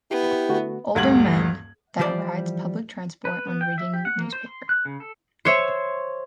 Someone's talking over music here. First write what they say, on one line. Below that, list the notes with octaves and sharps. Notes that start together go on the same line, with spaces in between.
Older men that rides public transport when reading newspaper.
B3 E4 G4
D3 A3 F#4
D#1 D2 G2 G#6 F#7
E3 F3 G3 C5 D5
B4
B3
G5
E5
G4
F#5
A#3
C5
C6
F#6
C#3
A4
C5 C#5 E5